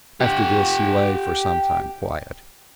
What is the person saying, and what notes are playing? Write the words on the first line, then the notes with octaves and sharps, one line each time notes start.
After this, he lay for some time quiet.
G4 F#5